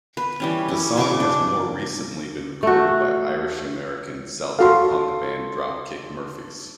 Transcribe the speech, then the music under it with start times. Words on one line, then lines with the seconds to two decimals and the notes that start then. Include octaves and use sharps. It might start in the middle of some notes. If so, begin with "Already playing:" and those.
The song has more recently been recorded by Irish-American Celtic punk band Dropkick Murphys.
0.17 B4
0.40 E3 G3 C#4
0.68 C#4
0.97 C#3 C#6 D6
1.20 D4
2.63 A3 F#4
4.59 F#4 A4 F5 C6